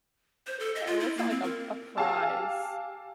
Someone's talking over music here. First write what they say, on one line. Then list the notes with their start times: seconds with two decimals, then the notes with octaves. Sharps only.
yeah, but it's not like a a prize.
0.47 C5
0.60 A4
0.75 D#5
0.87 F4
1.00 E4
1.17 A#3
1.30 C4
1.43 A#4
1.97 G4 F5 G#5 A5 E6